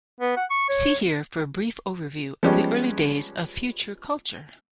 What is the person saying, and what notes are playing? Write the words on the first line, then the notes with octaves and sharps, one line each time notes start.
See here for a brief overview of the early days of Future Culture.
B3
F#5
C#6
C#5
F3 G3 G#3 B3 C#4 G4